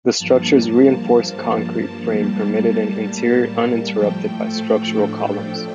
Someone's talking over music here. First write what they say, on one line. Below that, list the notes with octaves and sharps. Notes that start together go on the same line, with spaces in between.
The structure's reinforced concrete frame permitted an interior uninterrupted by structural columns.
G2 F3 A#3 A5
A2 G3 A#3
A2 F3 A3 G5
A4
D4